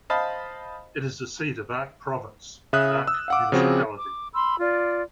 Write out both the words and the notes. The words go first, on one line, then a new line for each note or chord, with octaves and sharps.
It is the seat of Arque Province and Arque Municipality.
C5 D#5 F5 A5 B5
C#3 E5 D#6 F#6
E6
F5 F#5 D6
C#3 F3 C4 F#4 G#4
D6
B5 C6 E6
F4 D5